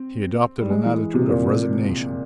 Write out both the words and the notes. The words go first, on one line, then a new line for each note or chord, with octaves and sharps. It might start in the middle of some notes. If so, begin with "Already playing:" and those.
He adopted an attitude of resignation.
Already playing: C4
G3
G#3
E3
C3
A#2